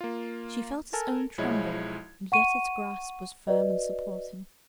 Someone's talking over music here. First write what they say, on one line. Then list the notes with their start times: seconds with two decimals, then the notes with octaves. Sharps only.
She felt his own tremble, and yet its grasp was firm and supporting.
0.01 A#3 F4
0.93 A4 A#4 G#5 A5
1.38 B1 F3 G#3 E4 C#5 G#6
2.32 F#5 C#6 D#7
3.47 F#4 B4 D5 D#5